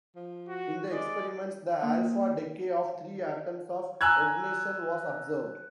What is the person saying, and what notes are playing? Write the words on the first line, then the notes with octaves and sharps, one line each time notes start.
In the experiments, the alpha-decay of three atoms of oganesson was observed.
F3
F#4
G#3 D5
A#3
G#5 A#5 E6 F#6 G#6